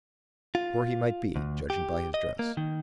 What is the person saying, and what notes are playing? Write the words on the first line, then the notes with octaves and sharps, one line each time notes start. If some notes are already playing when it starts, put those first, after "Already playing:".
Poor he might be, judging by his dress.
F4
D2
G4
D#5
A#3
D#3